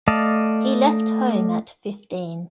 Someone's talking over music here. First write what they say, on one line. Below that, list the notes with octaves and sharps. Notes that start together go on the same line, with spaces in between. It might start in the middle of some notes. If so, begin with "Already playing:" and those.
He left home at fifteen.
A3 D5 D#5 F5 A5